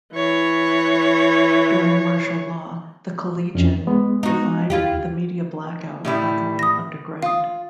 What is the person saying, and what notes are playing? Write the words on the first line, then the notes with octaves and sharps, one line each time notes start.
During Martial Law, the Collegian defied the media blackout by going underground.
E3 C#5
F2 C#4
G#3 B3
D#4 F#4
D#2 E4 F4 G4
A2 G3 E4
D#6 A#6
F4 F5 D#6